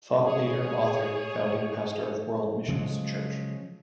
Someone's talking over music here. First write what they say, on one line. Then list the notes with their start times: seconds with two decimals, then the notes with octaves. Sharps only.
Thought Leader, Author, Founding Pastor of World Missions Church.
0.24 G#4 C#5
2.68 C#3 F3 F#3 G#3